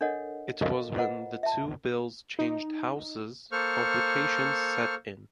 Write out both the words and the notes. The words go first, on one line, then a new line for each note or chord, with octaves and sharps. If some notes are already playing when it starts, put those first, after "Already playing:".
It was when the two bills changed houses, complications set in.
D4 A4 A#4 C#5 D#5 F#5
A4 A#4 D#5 F5
F4 B4 C5 D#5 F#5 A#5
E5 A5
D#4
A#3 A4 C5 C#6 F6